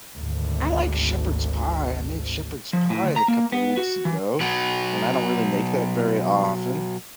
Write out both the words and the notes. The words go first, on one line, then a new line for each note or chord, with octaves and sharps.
I like shepherd's pie, I made shepherd's pie a couple weeks ago, and I don't really make that very often,
G#1 D2
F3
A2
D2
A#5
A#3
B3
F#4
E3
B2 F#3